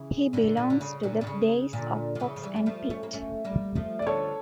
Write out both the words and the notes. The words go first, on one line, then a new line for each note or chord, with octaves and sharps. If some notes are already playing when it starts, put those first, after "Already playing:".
He belongs to the days of Fox and Pitt.
Already playing: C#3 E3
A#2 D3
A#2
D3
C#3
A#2 D3
A#2
C#3
A#2 D3
F3
C#3 E3
F3
E3 G3
G3
F3 A3
A3 C#4
A#3
A3 C#4
G3 A#3
F3 A3
E3 D5
D3 F3 A4 C#5